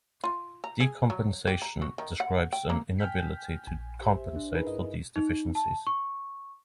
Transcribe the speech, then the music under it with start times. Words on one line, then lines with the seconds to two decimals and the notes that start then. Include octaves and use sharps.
Decompensation describes an inability to compensate for these deficiencies.
0.24 F4
0.64 A#5
0.80 G#4
1.10 F#3
1.47 G4
1.62 A#5
1.82 F#4
1.98 D#3
2.20 F#5
2.53 G5
2.70 A#3
2.98 G5 G#5 F6 G6 B6
3.67 A#1 G#5
4.00 G4 C5 E5
4.36 D4
4.54 D#4 E4 G#4 A#4 B4
4.67 G2 D#5
5.16 D#4
5.55 A5
5.87 C#6